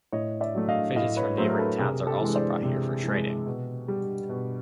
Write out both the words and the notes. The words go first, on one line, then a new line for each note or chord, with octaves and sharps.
Fishes from neighboring towns are also brought here for trading.
A2 C#5 D#5
D5 E5
F#3 A3
D#5 F5
A2 D#5 F5
B4 C#5
F#3 A3 A#4 C5
A#4
A4 B4
C3 G#4 A#4
G4 A4
E3 G#3
C5 D5
C3
E3 G#3
B2
G3
B2